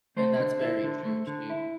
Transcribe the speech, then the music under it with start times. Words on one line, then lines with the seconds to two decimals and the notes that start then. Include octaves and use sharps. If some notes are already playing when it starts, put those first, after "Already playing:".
And that's very true too.
0.17 A3 C5
0.39 D3
0.61 E4
0.83 D3
1.05 A3
1.27 D3
1.50 E4